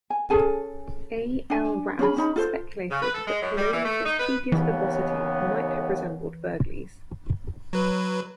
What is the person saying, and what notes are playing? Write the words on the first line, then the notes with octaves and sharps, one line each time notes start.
A. L. Rowse speculated that Polonius's tedious verbosity might have resembled Burghley's.
G#5
C#4 G#4 A4 G#5
D4 G#5
C#4 D4 G#4 B5
C#4 D#4 B5
F4 A4 C5
C#3
B4
A4
G#3
F#2
G3
E3
A3
D#4
B4
D#2 C#3 E3 B3
F#3 B4